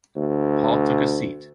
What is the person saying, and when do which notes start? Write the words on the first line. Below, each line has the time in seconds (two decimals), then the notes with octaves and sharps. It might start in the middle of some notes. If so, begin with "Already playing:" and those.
Paul took a seat.
0.16 D2